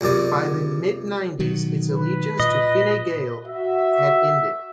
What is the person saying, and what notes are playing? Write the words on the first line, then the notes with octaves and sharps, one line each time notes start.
By the mid-nineties its allegiance to Fine Gael had ended.
C#2 F#2 C3 D5
B2 D#3 F#3
B4
A#2 D#5
F#4 E5